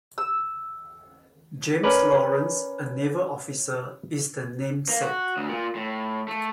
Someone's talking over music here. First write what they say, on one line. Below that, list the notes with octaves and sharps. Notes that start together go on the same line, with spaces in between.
James Lawrence, a naval officer, is the namesake.
E6
C#4 A#4 B4 D5
A#3
F#4
D2
A#2
A2
A3